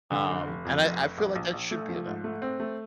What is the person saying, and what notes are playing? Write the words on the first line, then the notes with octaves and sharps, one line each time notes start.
Um, and I I feel like that should be enough.
D3
F1
F1
F2
F1
F1
A#1
A#1
A#1
A3
F3
G#2
A3
C4
A3